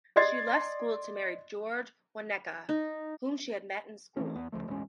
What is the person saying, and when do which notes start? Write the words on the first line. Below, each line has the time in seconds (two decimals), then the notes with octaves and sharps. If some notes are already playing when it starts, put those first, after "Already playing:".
She left school to marry George Wauneka, whom she had met in school.
0.16 D5 D#5 C6 G#6 A6 C7
2.69 D#4
4.17 E3 A3 C4 C#4
4.35 E2 B3
4.52 C#2 F#2 F3 A3
4.68 E1 A1 G#3 C#4